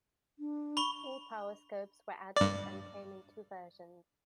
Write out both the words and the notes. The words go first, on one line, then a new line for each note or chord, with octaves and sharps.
Four-power scopes were added, and came in two versions.
D4
B5 C#6 G7
G2 D5